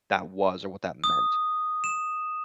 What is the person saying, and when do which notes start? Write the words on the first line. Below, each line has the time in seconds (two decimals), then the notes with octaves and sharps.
that was or what that meant,
1.04 D#6
1.84 E7